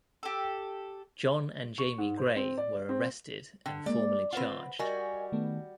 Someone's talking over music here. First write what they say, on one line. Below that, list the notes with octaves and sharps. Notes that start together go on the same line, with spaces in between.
John and Jamie Gray were arrested and formally charged.
G4 A4
C#6
G#2
C5
C4
D5
C4
D3 G5
G#3 A#3 D5
C4 F4 B4 C5 F#5
G3 F#4 A#4 D#5 G#5
D#3 A3 B3